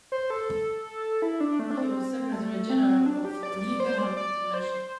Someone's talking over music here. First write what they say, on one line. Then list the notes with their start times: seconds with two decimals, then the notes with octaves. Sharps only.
He was secretary general of Liberal International.
0.12 C5
0.30 A4
1.22 E4
1.41 D4
1.59 A3
1.70 D4
1.77 C4
2.32 A3
2.70 C4
3.06 D4
3.25 G4
3.43 D5
3.80 C5
3.98 D5
4.17 D5
4.54 C5